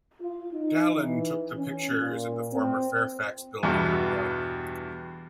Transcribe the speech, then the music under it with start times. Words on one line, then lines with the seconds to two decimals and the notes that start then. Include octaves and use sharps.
Dallen took the pictures in the former Fairfax building on Broadway.
0.20 F4
0.52 D#4
0.93 E3
1.55 C#4
1.99 A#2
2.52 C4
3.63 E2 G2 B2